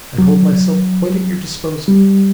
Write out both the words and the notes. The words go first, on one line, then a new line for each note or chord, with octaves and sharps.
I hold myself quite at your disposal.
F#3
G3